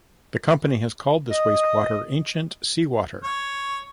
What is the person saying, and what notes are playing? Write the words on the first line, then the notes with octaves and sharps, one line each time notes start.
The company has called this wastewater "ancient seawater".
D#5
C#5